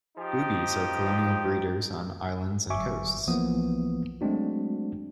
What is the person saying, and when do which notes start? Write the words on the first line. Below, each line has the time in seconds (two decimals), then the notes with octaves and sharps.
Boobies are colonial breeders on islands and coasts.
0.18 F3 D#4 G4
2.70 G1 F#3 E5 G#5 C#6 D6
3.27 B1 E3 F3 A#3 B3 D#6
4.21 F#3 G#3 A3 C4 D4 F#4